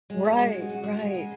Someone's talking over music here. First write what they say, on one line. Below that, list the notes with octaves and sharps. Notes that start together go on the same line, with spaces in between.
right, right.
G#3
F#4
G#3
C#3
F#4
G#3
G#3
C#3